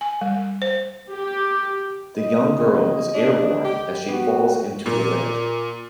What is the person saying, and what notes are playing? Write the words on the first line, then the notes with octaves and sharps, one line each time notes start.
The young girl is airborne as she falls into the lake.
G#5
G3
C5
G4
D#5
C#3
D4
G4
B3 F#4
A#2